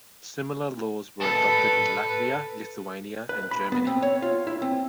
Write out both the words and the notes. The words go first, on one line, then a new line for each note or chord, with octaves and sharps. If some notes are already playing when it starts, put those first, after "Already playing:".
Similar laws were adopted in Latvia, Lithuania and Germany.
A4 B4 A5
B4
B5
B3
C4
C#5
F4
E4
C4